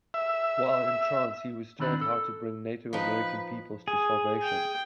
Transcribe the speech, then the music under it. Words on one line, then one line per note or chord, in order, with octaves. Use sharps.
While in trance he was told how to bring Native American peoples to salvation.
E5
D#2 D#3 C4 D4 B5
A4
F3 D#4 B4
G#4
G5